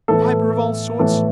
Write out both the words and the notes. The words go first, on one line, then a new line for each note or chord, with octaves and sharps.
Fibre of all sorts.
A2 E3 B3 A4
A2 E3 B3 A4